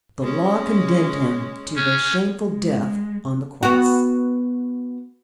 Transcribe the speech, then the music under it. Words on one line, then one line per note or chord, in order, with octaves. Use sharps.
The Law condemned Him to the shameful death on the Cross.
G#3 C#4
C#4
G#3
B3 F#4